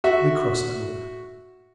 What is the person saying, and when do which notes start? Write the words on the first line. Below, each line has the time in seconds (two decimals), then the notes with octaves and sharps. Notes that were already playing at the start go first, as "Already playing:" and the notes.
We crossed over.
0.04 F#4 E5